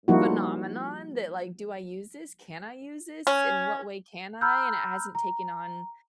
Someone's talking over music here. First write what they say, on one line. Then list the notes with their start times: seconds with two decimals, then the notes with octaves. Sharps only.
phenomenon that, like, "Do I use this? Can I use this? In what way can I?" and it hasn't taken on,
0.08 F3 G3 A#3 D#4 E4 F#4
3.27 C#4
4.41 A#5 B5 E6 F6 G6
5.15 A#5